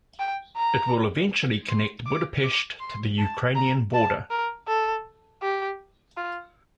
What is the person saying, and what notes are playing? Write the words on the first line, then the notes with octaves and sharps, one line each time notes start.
It will eventually connect Budapest to the Ukrainian border.
G5
A#5
C6
D6
D6
C6
A5
A#5
A5
A#4
A4
G4
F4